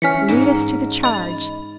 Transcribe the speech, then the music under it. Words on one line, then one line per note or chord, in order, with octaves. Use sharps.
Lead us to the charge!
E3 C#4 F6 B6 C#7
G#2 D#4
D#5 B5